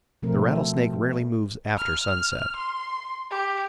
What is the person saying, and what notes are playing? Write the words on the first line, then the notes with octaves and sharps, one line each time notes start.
The rattlesnake rarely moves after sunset.
B2 F3 A3 C4 A#4
F6
C6
G4